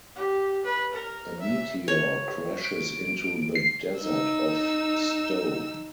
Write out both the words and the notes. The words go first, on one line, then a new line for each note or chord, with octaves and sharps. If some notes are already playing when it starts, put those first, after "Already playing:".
A meteor crashes into the desert of Sto.
G4
B4
A#4
E5
C#5
D7
C7
D#4 E6